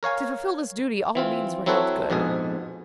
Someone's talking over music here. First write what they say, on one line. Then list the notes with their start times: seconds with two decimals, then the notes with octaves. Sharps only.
To fulfil this duty all means were held good.
0.03 A#4 C#5 F5 G#5
1.15 E3 C4 F4
1.66 F#3 C4 E4 A4 B4 C#5
2.10 A#1 F2 G#2 B2 G#4